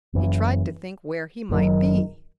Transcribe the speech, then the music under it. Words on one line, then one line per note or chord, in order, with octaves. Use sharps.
He tried to think where he might be.
F#1 F#2 E3
F#1 F#2 D#3 F#3